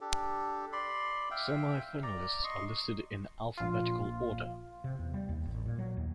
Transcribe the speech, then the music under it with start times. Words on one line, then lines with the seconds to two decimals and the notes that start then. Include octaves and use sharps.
Semi-finalists are listed in alphabetical order.
0.01 D4 G4 A4
0.73 D5 B5 C6
1.31 E5 F5 G5
2.03 D5 A#5
2.44 D#5 C6 C#6
3.57 A#1 F4
4.84 C3
4.99 E2
5.14 G3
5.29 D#2
5.45 A1
5.66 A#2
5.79 F#3
5.97 D#2